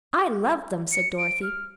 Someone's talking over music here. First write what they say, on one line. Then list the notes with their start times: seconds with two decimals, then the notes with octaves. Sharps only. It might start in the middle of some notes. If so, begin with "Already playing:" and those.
"I love them," said Dorothy.
0.92 C#7
1.18 D7
1.43 F6